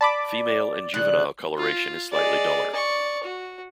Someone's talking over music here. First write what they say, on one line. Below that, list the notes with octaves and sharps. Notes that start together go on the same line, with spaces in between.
Female and juvenile coloration is slightly duller.
D5 A5 B5 D6
C#3 F3 G3 F#6
F4
G#3 D5
D5 C#6
F#4